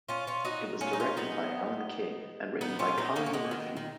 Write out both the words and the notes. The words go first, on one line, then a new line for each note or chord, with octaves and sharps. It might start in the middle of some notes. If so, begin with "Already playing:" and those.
It was directed by Allan King, and written by Colleen Murphy.
C#4 F4
C#4 F4
D#4 F#4
C#4 F4
D#4
C#4 F4
B3 D#4
B3 D#4
C#4 F4
B3 D#4
A#3 C#4
C#4
G#3 B3
D#3
D#3